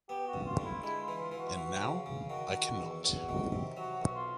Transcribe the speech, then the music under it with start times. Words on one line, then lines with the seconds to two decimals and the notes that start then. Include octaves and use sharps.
And now — I cannot.
0.09 B3 G4
0.27 F#4
0.34 G2
0.46 F4
0.58 D3
0.65 E4
0.83 G#3 E4
1.02 F4
1.08 E3
1.20 F4
1.32 E3
1.38 F#4
1.57 E3
1.81 C#3
2.06 C#3
2.30 D#3 F#4
2.55 D#3
2.79 E2
3.04 E2 F#4
3.29 D#3
3.52 C3
3.77 F#3 F#4
4.02 B1
4.14 F4